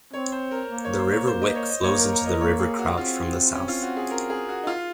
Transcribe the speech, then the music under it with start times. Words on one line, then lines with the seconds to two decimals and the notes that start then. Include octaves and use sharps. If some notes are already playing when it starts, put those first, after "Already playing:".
The River Wick flows into the River Crouch from the south.
0.13 C4 C#5
0.32 C5
0.51 A#4
0.70 A#3
0.85 C#5
0.99 C5
1.13 C#5
1.27 C5
1.42 D#5
1.55 C#5
1.70 D#5
1.83 A#3 C#5
1.98 A#4
2.12 A#4
2.26 D#5
2.40 A#3 C#5
2.59 G#4
2.78 F#4
2.97 C4 F4
3.54 C#4
3.68 F4
3.83 F#4
3.97 G#4
4.11 A#4
4.30 G#4
4.49 F#4
4.63 D#4
4.67 F4